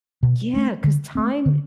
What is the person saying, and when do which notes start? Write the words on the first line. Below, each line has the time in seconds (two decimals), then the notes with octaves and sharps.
Yeah, 'cause time
0.23 B2
0.54 A3 D4
0.84 D3
1.15 A3 C4
1.46 D3